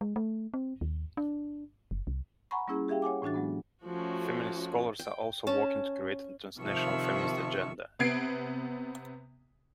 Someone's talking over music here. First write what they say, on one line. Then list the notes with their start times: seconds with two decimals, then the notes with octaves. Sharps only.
Feminist scholars are also working to create a transnational feminist agenda.
0.01 G#3
0.16 A3
0.54 C4
0.81 D#2
1.17 D4
1.91 F#1
2.07 C2
2.51 F#5 G#5 A#5 B5 C#6
2.68 G3 A#3 C#4 E4 G#4
2.88 G4 G#4 E5 F5 G5
3.02 C#5 F#5 G#5 D6
3.22 A2 E3 D4 F#4 A6
3.34 F#3 G#3 B3
3.85 F3 A3 C#4 F#4
4.99 G5
5.47 C#4 A5
6.59 C3 D#3 F3 E5 C#6
7.99 C3 B3 G#6 C7 D7